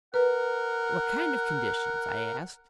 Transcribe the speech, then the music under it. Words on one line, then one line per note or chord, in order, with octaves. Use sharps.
"What kind of conditions?" I asked.
A#4 B4 F#5